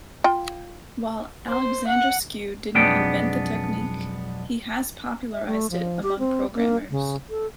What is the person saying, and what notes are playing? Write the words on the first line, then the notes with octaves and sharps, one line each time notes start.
While Alexandrescu didn't invent the technique, he has popularized it among programmers.
F4 G5
C5
F#5
B1 F2 G#3 B3 D4 G5
E5
A3
F3
G4
C4
A#3
C#3
A4